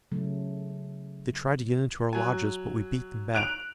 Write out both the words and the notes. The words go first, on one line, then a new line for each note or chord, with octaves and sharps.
They tried to get into our lodges, but we beat them back.
C#3 F#3 A3
F#3 G#5
F#6 D7 F7